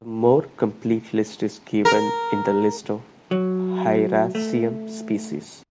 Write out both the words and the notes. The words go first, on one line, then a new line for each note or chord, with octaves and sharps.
A more complete list is given in the list of "Hieracium" species.
A#4
F#3
A3